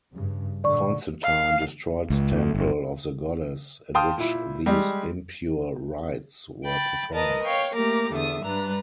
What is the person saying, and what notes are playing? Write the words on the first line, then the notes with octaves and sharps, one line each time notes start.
Constantine destroyed the temple of the goddess in which these impure rites were performed.
G2 C#3
A#2 D3 D5 C#6
F5
C#2
D2
G1
F5 G5 A5 C6 D#6 G6
A#2 E4
G3 G#3 G4
G5 B5 A6
A#4 B4 D#5 A5 A#5
C#5 F5 G5 C#6
A3 A#3 G4 A#4 A#5 D6
E2 D3 A4 E5 D#6
G2 G3 D4 B4 A#5